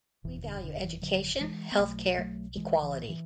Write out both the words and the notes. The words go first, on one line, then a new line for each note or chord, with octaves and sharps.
We value education, health care, equality.
F#1 E2 B2 E3
D3
D3
E3
D3 F#3
E3 G#3
B3
B1 B2 F#3 A3
F#3 A3
E3 G#3
E3
E3